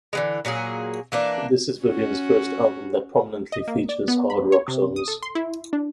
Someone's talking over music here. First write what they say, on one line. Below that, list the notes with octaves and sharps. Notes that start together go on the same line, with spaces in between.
This is Vivian's first album that prominently features hard rock songs.
D3 E3 G#3
A#2 F#3 A#3 G#4
E3 A#3 D4
C#4 F#4
D#5
A#3
D5
B3
B5
C#5
C3
D#6
A4
C6
E4
D4